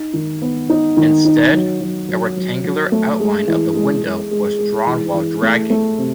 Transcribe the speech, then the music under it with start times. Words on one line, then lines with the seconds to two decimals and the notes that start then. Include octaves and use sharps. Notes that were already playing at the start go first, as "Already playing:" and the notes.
Instead, a rectangular outline of the window was drawn while dragging.
Already playing: D#4
0.14 D#3
0.42 B3
0.70 D#4
0.97 D#3
1.25 D#4
1.53 F#3
1.80 F#3
2.09 F#3
2.36 F#3
2.64 F#3
2.92 A3
3.20 G#3
3.47 E3
3.75 G#3
4.03 G#3
4.31 G#3
4.59 G#3
4.87 E3
5.14 E3
5.42 A3
5.70 A3
5.98 C3